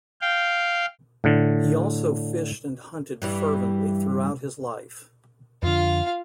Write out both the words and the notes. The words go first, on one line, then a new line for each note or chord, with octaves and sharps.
He also fished and hunted fervently throughout his life.
F5 G5
A2 D3
G2 E3 G3
F2 D3 F4 F5